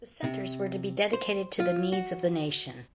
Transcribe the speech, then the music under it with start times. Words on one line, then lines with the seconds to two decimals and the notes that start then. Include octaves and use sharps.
The centres were to be dedicated to the needs of the nation.
0.24 C3
1.13 C5
1.60 F4
1.92 F#4